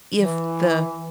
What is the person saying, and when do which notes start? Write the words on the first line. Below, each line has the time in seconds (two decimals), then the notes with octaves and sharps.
If the
0.16 E3